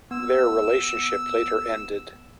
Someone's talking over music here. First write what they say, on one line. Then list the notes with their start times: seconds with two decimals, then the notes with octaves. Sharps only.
Their relationship later ended.
0.11 B3 E6